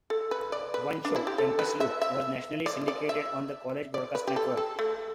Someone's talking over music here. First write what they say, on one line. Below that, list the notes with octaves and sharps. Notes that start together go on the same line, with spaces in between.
One show, "Campus Loop", was nationally syndicated on the College Broadcast network.
A4
B4
D5
B4
D4
E4
G4
A4
B4
E5
E5
D5
D5
E5
D5
B4
G4
A4
A4
A3